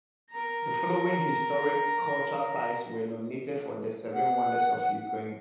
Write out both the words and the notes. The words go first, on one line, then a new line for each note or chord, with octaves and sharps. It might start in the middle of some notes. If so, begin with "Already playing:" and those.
The following historic-cultural sites were nominated for the Seven Wonders of Ukraine.
A#4 A#5
F#5